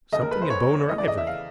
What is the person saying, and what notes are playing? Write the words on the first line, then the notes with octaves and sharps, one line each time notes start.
"Something in bone or ivory."
F1 D#2 C#3 D#5
A#4
B4
C5
C#5
E2 C#3 E3 D#5
D5
D#5
E5
F5